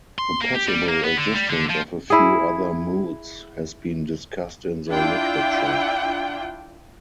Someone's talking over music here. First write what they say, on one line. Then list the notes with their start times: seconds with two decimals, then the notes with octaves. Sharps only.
The possible existence of a few other moods has been discussed in the literature.
0.18 C6
0.42 A#3
0.55 G4
0.68 G3
0.89 A#3
1.04 B3
1.17 D3
1.35 G3
1.50 D3
1.70 F3
2.10 E4 G#4
4.90 D4 E4 F4 G5